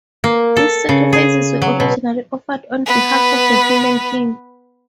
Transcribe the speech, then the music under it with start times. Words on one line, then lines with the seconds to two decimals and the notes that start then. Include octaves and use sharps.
These sacrifices were originally offered on behalf of the human king.
0.24 A#3
0.57 A4
0.89 C#3
1.13 G#4
1.62 F#3
1.80 B2
2.86 B3 B4